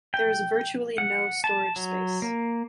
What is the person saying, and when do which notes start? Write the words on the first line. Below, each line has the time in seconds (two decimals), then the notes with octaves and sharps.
There is virtually no storage space.
0.14 G5
0.98 F#5
1.44 A5
1.76 F#3
2.22 A#3